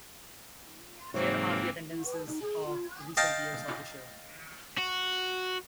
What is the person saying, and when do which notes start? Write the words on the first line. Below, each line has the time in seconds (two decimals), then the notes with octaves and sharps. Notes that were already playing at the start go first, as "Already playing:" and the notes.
Here are the attendances of recent years of the Show.
1.14 G#2 C3 E3 F#3 A#3 C4 C#5
1.90 E4
2.05 B4
2.28 D#4
2.42 G#4
2.66 F4
3.17 D#5 F5 G5 A5
4.78 F#4